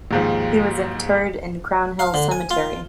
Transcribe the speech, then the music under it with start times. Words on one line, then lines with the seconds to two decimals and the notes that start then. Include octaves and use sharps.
He was interred in Crown Hill Cemetery.
0.11 D#2 G#2 F3
1.99 F5
2.14 D3
2.31 G#5
2.51 F4